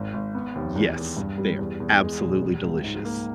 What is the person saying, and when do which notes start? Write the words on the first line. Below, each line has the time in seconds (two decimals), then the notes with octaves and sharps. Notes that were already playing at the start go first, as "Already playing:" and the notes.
Yes. They're absolutely delicious.
Already playing: G#1
0.13 G#1
0.34 B3
0.55 D#2
0.76 E2
0.96 E2
1.17 G2
1.38 G3
1.59 E2
1.80 E2
2.01 G#3
2.21 B1
2.42 G3
2.63 C#2
2.84 G#2
3.05 A#3